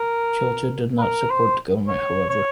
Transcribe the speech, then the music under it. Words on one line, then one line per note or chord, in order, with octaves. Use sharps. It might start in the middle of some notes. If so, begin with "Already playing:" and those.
Churchill did not support the government, however.
Already playing: A#4
B4
A#4
C5
C#5
C#5